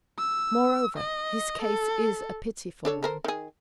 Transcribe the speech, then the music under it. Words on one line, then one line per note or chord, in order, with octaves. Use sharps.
Moreover, his case is a pitiful one.
E6
D#5
A4
D4 A4 C#5
A4 A#4 C5
D#3 G#4